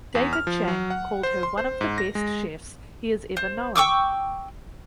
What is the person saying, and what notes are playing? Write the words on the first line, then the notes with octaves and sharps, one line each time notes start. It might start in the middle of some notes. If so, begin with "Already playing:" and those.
David Chang called her one of the best chefs he has ever known.
E2
F6
F3
F#3
F#5
C5
C6
C5
G#2
A#6
G#3
C5
G5 C#6 D6 E6